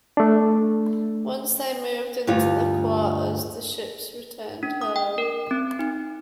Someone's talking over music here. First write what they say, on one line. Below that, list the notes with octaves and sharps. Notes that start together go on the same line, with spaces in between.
Once they moved into the quarters, the ships returned home.
A3 D4
D2 G2 F4
D4
D#6
G5
A#4
C4
D#4